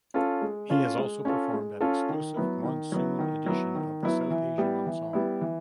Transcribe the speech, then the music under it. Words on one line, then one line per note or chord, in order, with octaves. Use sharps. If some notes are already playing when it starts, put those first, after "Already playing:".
He has also performed at exclusive monsoon edition of The South Asian Ensemble.
C#4 F4 A4
G#3
C#4 F4 A4
G#3
C#4 F4 A4
G#3
C#4 F4 A4
D#3
F#3 B3 E4
D#3
F#3 B3 E4
D#3
F#3 B3 E4
D#3
F#3 B3 E4
E3
G3 B3 E4
E3
G3 B3 E4
E3